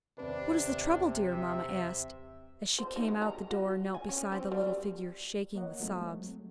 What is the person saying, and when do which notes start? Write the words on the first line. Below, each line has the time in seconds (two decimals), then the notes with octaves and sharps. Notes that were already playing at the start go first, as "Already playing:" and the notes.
"What is the trouble, Dear?" Mamma asked, as she came out the door and knelt beside the little figure shaking with sobs.
0.18 D#2 C3 C4 D4 B4
1.27 E5
2.79 C5
2.96 D#4
3.08 G#3
3.22 A#5
3.51 F#4
3.94 G#5
4.09 C#4
4.32 C4
4.52 G3
5.55 A#3 C#5 D#5 F#5
5.80 F3 F#3 G#3 A3 C4